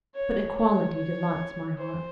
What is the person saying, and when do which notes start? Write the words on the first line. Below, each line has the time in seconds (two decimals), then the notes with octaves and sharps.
But equality delights my heart.
0.14 C#5
0.55 C#5
1.78 C5